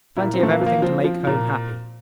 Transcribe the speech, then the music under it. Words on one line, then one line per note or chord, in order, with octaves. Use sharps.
Plenty of everything to make home happy.
A#2 E4
C4
F3 A3
A#3
F3 A#3
F3 C4
F3
A#2